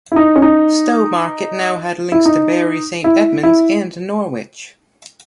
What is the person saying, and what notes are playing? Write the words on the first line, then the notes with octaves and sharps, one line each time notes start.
Stowmarket now had links to Bury Saint Edmunds and Norwich.
E4
D#4
C#4
D#4
E4
D#4
E4
E4